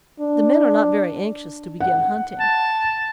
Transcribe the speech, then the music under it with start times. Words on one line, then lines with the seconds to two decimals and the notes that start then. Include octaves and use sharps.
The men are not very anxious to begin hunting.
0.20 D4
1.80 F#5
2.40 A5